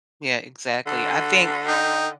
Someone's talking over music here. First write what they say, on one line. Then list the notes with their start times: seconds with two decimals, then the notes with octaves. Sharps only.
Yeah, exactly. I think
0.87 D3
1.68 D#4 G5